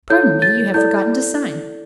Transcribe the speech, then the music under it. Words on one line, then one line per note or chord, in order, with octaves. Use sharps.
"Pardon me, you have forgotten to sign."
E4 A4 C#5 G6
A6
E4 A4 D5 G6